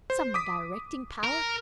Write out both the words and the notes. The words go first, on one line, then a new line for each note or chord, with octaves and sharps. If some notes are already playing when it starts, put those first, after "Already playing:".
Some directing Power.
C5
D6 D#6 B6
A#4